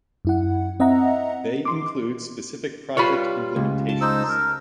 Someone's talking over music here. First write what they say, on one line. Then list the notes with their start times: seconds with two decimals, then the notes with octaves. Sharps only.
They include specific project implementations.
0.25 F#2 E4 F#5
0.80 C4 D#5 E5 F#5 A#5
1.65 C6 D6
2.97 G3 F4 B4 C#5 B5
3.56 C#2
3.89 A5
4.01 D#4 C5 E6
4.29 A#4